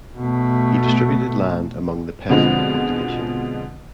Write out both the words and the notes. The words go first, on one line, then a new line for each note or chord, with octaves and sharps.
He distributed land among the peasant population.
B2 A3
B2 D3 F3 G#3 C4